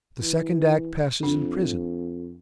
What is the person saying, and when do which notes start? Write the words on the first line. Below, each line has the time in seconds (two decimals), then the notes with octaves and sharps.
The second act passes in prison.
0.21 E3
1.23 F2 D4